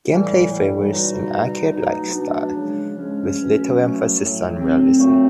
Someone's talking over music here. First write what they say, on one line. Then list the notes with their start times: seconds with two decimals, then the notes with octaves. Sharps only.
Gameplay favors an arcade-like style, with little emphasis on realism.
0.09 A2 E3 G3
0.50 A2 E3 G3
0.91 B2 G3 D#4
1.31 B2 G3
1.72 B2 F#3 A3 D#4
2.12 B2 F#3 A3 D4
2.54 C#3 F3 G#3
2.94 C#3 F3 G#3 C#4
3.35 B2 F#3 A3
3.76 B2 F#3 A3
4.17 A2 F#3 A3
4.57 A2 F#3 A3 C4
4.98 A#2 F#3 A3